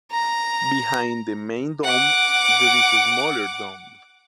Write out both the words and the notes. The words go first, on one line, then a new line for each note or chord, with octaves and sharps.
Behind the main dome, there is a smaller dome.
A#5
F#5 D6